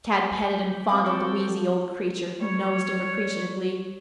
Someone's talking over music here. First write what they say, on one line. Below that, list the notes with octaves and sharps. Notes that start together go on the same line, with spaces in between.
Tad petted and fondled the wheezy old creature, who nosed him appreciatively.
G4 G#5
C4 F5 B5 D6 D#6
F#4 A4 G5
G3 C#5